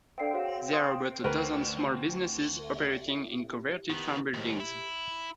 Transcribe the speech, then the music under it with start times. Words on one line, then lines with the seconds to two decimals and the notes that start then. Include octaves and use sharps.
There are about a dozen small businesses operating in converted farm buildings.
0.19 D4 A4 D5 F5 G5 C7
0.34 F#4 G#4 C5 C#5 F5 F#5
0.73 F5 G5 C6 D#6
1.24 D2 A#4 B4
3.90 D#3 B3
4.34 D#2 G#2
4.60 E4